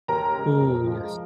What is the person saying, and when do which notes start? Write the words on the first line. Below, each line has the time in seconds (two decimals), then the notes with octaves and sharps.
Ooh, yes.
0.08 D#2 A#4 A#5
0.35 C#3 G#3
0.61 F2
0.87 F3 G#3